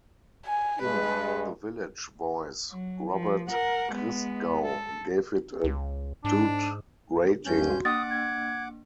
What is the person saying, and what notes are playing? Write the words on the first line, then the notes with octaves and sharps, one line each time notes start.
In "The Village Voice", Robert Christgau gave it a "dud" rating.
G#5
G2 G#3 B4
F#3
F3
A#4 F#5
G#3 B3
A4
C#2
G#2 D4
G2 C#4 G6
F#4
A#3 D4 F#5 D6 D#6 A6
G#6